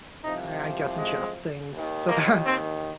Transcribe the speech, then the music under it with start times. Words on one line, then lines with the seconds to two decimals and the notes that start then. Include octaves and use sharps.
I I guess adjust things so that
0.24 C2 C3 F3 D#4
0.98 G#3
1.72 D#2 D#3
2.09 A#3
2.46 C4